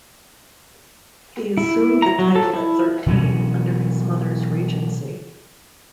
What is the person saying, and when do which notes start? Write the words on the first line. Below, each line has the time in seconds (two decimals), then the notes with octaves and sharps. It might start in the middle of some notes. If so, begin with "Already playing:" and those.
He assumed the title at thirteen, under his mother's regency.
1.58 E4
2.02 A#5
2.19 F#3
2.36 A4
2.53 E4
3.06 B2 E3 F#3 C#4